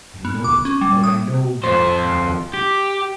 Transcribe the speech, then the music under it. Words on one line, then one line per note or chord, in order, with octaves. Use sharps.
I know it, but I know not how.
B3
D6
C#4
G3
D#6
F2 C5
G4